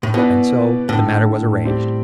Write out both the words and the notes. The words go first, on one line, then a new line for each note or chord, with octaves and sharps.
And so the matter was arranged.
A2
B2 B3 E4 B4 D5
A2 D3 A3 E4 A4
G3 C4 G4 D5